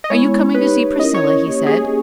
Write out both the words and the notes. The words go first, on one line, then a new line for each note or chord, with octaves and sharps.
"Are you coming to see Priscilla?" he said.
D#5
G#3 B3 E4 C#5
D#4 G4 B4 C#5
C#4 E4 A#4 D#5
C#5
A#3 C#4 G4
G#4